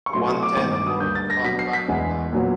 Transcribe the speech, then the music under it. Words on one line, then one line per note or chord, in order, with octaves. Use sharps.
One tenth were caught by her lover.
C#6
A2 F#3 A3 C6
C#6
D6
G2 D#3 G#3 B3 C#6
D6
D#6
D2 D3 G3 A#3 G6
A6
A#6
B2 F#3 B3 B6
C7
B6
E2 B2 G#3 B3
A#2 F#3 B3